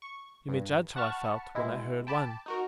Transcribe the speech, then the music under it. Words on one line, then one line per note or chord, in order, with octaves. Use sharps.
You may judge how I felt, when I heard one!
C#6
G2
F#5 A5 B5 C#6 F6
B2 G#3 E4
G5 A5 B5 D6
D#4 F#4 A#4